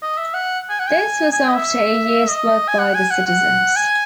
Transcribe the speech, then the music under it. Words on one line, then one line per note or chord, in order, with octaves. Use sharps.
This was after a year's work by the citizens.
D#5
E5
F#5
G#5
F#5
G#5
G#5
D#5
E5
D#5
G#5
F#5
G#5
F#5
F#5
G#5